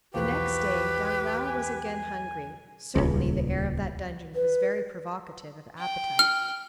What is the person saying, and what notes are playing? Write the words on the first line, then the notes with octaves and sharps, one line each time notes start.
The next day Danglars was again hungry; certainly the air of that dungeon was very provocative of appetite.
B1 E2 F3 F#4 G4 B4
G#5
D#1 C#2
B4
G5
F6